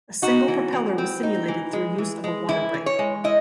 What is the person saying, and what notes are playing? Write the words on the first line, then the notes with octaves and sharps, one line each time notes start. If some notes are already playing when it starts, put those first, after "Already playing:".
A single propeller was simulated through use of a water brake.
D#4 F#4
E3
E3
C4
D#4
E3
G#3
E3
G#3
E3 E4
E3
C#5
G#3
E4 D#5